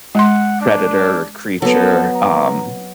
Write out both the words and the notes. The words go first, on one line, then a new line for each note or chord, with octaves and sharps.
predator or creature, um,
G#3 F#5 C6
D4
F#3 B3 A4
A#5